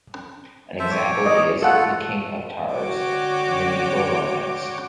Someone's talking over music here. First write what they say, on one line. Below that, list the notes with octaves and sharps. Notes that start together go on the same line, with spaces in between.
An example is in "The King of Tars", a medieval romance.
A4 C5 E5
C#5 D6
D#5
A3 F4 A4 F#5
D3 F#4 C#5 G5 D6